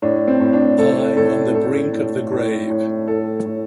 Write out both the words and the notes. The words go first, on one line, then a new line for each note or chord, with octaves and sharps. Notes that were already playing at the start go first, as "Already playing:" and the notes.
I on the brink of the grave!
A2 D4
C4
A2
D4
A2 A4
A2 A4
A2 A4
A2
A2
A2
A2 A4
A2